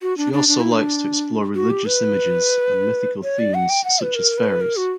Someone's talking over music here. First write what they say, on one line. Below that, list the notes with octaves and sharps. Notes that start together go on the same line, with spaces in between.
She also likes to explore religious images and mythical themes such as fairies.
F#4
D4
D4
D4
E4
D4
F#4
G4
B4
C#5
D5
F#5
G5
F#5
B4
A#4
B4
A#4
F#4